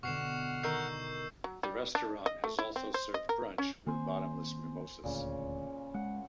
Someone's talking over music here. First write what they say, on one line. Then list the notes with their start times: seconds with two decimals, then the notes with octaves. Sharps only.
The restaurant has also served brunch with bottomless mimosas.
0.03 B2 D3 F#5 C#6 F6 C7 E7
0.63 D#3 A#4 E6 G6 C7
1.44 F#3
1.63 G3
1.95 D4
2.26 D#5
2.44 A3
2.59 E4
2.76 C4
2.94 C5
3.14 D#5
3.29 A#4
3.58 C#4
3.86 D#3 A#3 C4 C5 G#5
5.04 D#1 D2 A#2 C#3
5.94 G#3 F#5